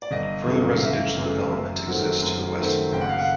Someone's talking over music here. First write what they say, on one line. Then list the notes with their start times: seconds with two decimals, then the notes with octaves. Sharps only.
Further residential development exists to the west and north.
0.02 D5
0.11 G1 D#5
0.46 F#2 C#3 E3 A3
0.77 F5
0.82 G1 E5
1.17 F#2 C#3 E3 A3
1.52 F#2
1.87 D#3 F#3 A3 C4
2.22 F#2
2.58 D#3 F#3 A3 C4
2.92 F#1 G5
3.01 F#5
3.09 F5
3.18 F#5